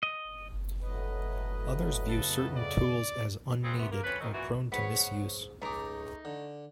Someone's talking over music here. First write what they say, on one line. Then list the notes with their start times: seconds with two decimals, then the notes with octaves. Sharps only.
Others view certain tools as unneeded or prone to misuse.
0.03 D#5
0.83 A2 F#3 B4 D#5
2.09 F2 C#3 A4
2.56 D5
3.63 G3 G#3 C4 F4 G#4
3.77 F#2 C3 B3
3.91 A#3 A#4
4.04 F2 C#4 B4
4.20 B2 D#3 C4 D#4
4.32 A#2 E3 F#4
4.72 G#2 B4 C#5 F#5
5.62 C#2 A3 D#4 G#4 A#5 D6
6.25 D3